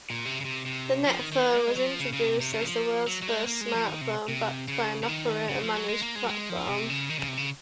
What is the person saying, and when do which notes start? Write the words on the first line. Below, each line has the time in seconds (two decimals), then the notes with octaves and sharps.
The Netphone was introduced as the world's first smartphone backed by an operator-managed platform.
0.10 A#2
0.25 C3
0.41 C#3
0.45 C3
0.66 C3
1.06 F3
1.19 D#3
1.32 D#3
1.58 A#3
1.67 G#3
1.76 F#3
1.86 F3
2.00 C#3
2.13 C#3
2.26 C3
2.40 C3
2.53 C#3
2.62 F#3
2.67 F3
3.07 F#3
3.22 F#3
3.28 G#3
3.47 A#3
3.61 G#3
3.75 F3
3.87 D#3
4.01 C3
4.28 C3
4.68 C#3
5.03 C#3
5.08 D#3
5.49 C#3
5.62 F3
5.76 F#3
5.89 G#3
6.03 A#3
6.15 G#3
6.25 F#3
6.29 G#3
6.50 F3
6.69 C3
6.90 C#3
7.10 D#3
7.19 C#3
7.28 C3
7.37 C#3